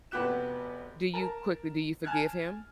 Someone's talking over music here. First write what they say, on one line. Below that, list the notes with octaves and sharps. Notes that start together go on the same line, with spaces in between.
Do you- quickly- do you forgive him?
F1 B3 F#4 G4 F#6 E7
A#4 A5
G#5 A5 F6 F#6 G#6